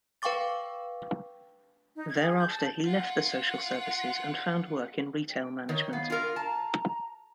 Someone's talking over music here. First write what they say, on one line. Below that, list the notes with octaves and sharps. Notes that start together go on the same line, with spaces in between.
Thereafter he left the social services and found work in retail management.
B4 F5 G5 C#6 D6 A6
D#4
G#6
G#4
G6
A5
F4 F#5
G5
D#3 C#5
B3 F5
F4 A#4
A5 A#5